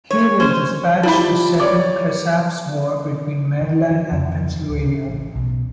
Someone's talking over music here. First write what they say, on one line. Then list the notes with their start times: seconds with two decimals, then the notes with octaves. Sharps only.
He was dispatched to settle Cresap's War between Maryland and Pennsylvania.
0.11 C#5
0.40 C#4 C5
1.03 F3 G3 E4 B5
1.60 C#5 D5 D6
3.61 D#3
3.91 F3
4.12 F2
4.69 D1
4.85 C#3
5.08 A1
5.36 B1